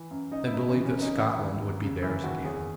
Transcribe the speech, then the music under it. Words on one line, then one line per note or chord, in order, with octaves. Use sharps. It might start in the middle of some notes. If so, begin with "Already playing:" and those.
They believed that Scotland would be theirs again.
Already playing: E3
F#2
F#2 D#4
E4
C#3 D#4
C#4
E3
C#4
F#2 D#4
E3 E4
D#2
D#2
C#3
E3 E4
D#2 F#4
E2 G#4